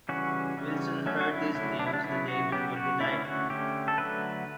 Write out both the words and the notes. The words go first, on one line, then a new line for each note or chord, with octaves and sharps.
Wilson heard this news the day before he died.
C#3 E3 G3 C#4 F#4
C#3 E3 G3 C#4
D3 F#3 A3 C#4
F#4
E4
D3 F#3 A3 C#4 E4
D4
E4
D4
C#3 F#3 B3 E4
F#4
C#3 F#3 B3 G4
F#4
D3 A3 C#4 E4
F#4
D3 A3 C#4 G4
A4
D3 F#3 A3 B4